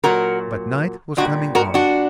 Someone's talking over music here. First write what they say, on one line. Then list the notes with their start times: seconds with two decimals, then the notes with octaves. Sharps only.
But night was coming on.
0.04 A#2 F#3 F#4 A#4
1.17 A#2 G3 D4 F#4
1.55 F#4 A#4
1.74 D4 F#4